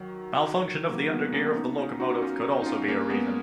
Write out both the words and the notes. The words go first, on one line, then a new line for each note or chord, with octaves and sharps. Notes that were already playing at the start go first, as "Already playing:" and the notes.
Malfunction of the undergear of the locomotive could also be a reason.
Already playing: D#3 F#3
F#3 A#3
G#3 B3
A#3 C#4
B3 D#4
C#4 F4
D#4 F#4
C#4 F4
D#4
C#4 F4
A#3 C#4
G#3 B3